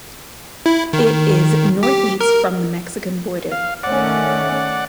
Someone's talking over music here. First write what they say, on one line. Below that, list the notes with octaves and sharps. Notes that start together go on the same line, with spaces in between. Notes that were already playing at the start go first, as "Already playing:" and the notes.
It is northeast from the Mexican border.
E4
D#3
G4
A#4
F5
D#3 A3 C#4 D5 F#5